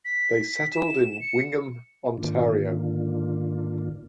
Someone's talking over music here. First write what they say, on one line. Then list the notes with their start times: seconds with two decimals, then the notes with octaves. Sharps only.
They settled in Wingham, Ontario.
0.05 B6
0.73 E7
1.21 C#7
2.18 G#2 D3 D#3 A#3 D4 F4